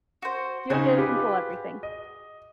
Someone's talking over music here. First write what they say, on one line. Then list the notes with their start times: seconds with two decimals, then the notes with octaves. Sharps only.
you don't get to control everything.
0.22 F#4 C5
0.70 C#3 D#4 F#4 G#4 C5 G#5
0.97 F4 G4 B4
1.83 D#5